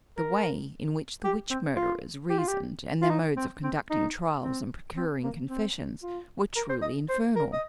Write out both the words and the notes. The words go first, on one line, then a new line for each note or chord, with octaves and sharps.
The way in which the witch murderers reasoned, and their modes of conducting trials and procuring confessions, were truly infernal.
A#4
G4
C4
F4
G4
F4
G4
F4
D#4
C4
C4
D#4
C4
C4
A#3
C4
F4
A#4
C5
D#5
C5
A#4
D#5